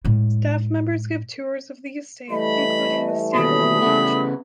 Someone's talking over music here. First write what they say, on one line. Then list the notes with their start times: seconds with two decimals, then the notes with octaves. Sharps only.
Staff members give tours of the estate, including the stable and the mansion.
0.05 A2 G#3
2.31 E3 G3 A3 D#5 B5
3.35 D#2 B2 B5 D#6
3.82 C#3 B3